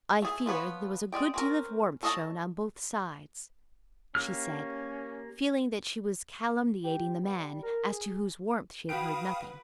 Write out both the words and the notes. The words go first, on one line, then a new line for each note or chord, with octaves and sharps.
"I fear there was a good deal of warmth shown on both sides," she said, feeling that she was calumniating the man, as to whose warmth she had heard nothing.
A3 G#4
F3 B3 B4 C#5
G#3 D5 G5
C4 C#4 A#4
A4 C#5 D#5 F5 A5
A#3 C#4 G4 F6
G4
B3
G3
A#4
G#4
F#4 B4 F5 G5 B5 D#6 D7